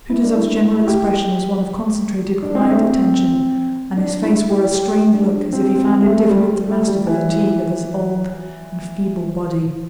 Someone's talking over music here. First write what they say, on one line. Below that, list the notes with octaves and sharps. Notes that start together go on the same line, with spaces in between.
Kutuzov's general expression was one of concentrated quiet attention, and his face wore a strained look as if he found it difficult to master the fatigue of his old and feeble body.
E4
D4
E4
E4
G4
D4
C4
A3
C4
D4
E4
G4
G4
D4
C4
C4
A3
G3
A3
G3
E3